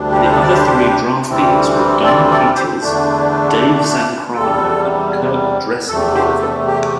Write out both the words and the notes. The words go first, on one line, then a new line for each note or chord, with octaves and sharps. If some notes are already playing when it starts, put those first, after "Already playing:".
The other three draftees were Don Peters, Dave Zancanaro and Kirk Dressendorfer.
Already playing: D2 C3 G3 D4
G4
C5
A4
D5
G4 C5
D2 C3 E3 G3 C4
A4 D5
A4 D5
G4 C5
E2 D3 A3 D4
E2 C3 G3 A4
E2 C3 A3 A4
G4 C5
A4
G4